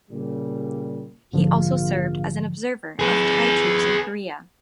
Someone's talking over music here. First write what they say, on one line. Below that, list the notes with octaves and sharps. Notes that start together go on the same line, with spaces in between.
He also served as an observer of Thai troops in Korea.
A#2 C#3 G3
A#1 G#2 D3 F3 F4
G#4 B4